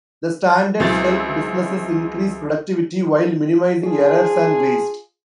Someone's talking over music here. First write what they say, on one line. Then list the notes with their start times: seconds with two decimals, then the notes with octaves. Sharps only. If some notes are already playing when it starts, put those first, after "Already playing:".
The standards help businesses increase productivity while minimizing errors and waste.
0.80 C#2 F#3 C4 E4 A6
3.83 D4 F4 G#4